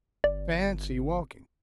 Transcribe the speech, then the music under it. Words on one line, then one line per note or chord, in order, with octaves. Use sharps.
Fancy walking!
G1 D5